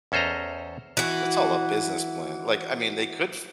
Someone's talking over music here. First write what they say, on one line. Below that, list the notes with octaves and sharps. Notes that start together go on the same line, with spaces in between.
It's all a business plan, like, I mean, they could f
E2 C#4 A4 C5 D#5 A#5
E3 F#4